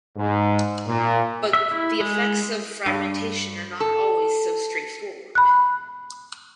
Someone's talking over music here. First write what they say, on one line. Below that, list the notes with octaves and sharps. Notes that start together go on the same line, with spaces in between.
But the effects of fragmentation are not always so straightforward.
G#2
A#2
E5
E4
G#3
G2
A4
B5 F#6